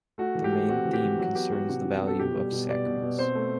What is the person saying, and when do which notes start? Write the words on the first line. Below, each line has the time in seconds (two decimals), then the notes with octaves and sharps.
The main theme concerns the value of sacraments.
0.18 A3 F#4
0.35 E3
0.44 G4
0.52 A3
0.68 C4 F#4
0.85 E3
0.93 G4
1.02 E3
1.19 F#3 F#4
1.35 B3 G4
1.52 B3 F#4
1.69 C3 F#4
1.85 C3
2.02 B3 A4
2.18 B2 G4
2.35 G3
2.52 B2
2.69 B2 D5
2.86 B2
3.02 B2
3.18 C4 C5
3.35 A3